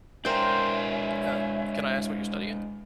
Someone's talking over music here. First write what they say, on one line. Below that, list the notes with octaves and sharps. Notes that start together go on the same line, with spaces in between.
Uh, can I ask what you're studying?
G#3 D4 A#4 C5 C#5 E5 G5 G#5